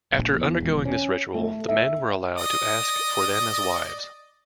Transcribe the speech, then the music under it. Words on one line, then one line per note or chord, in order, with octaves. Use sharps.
After undergoing this ritual, the men were allowed to ask for them as wives.
A#1
E2
E1
C#4
A3
E5
D5 D#5 D#6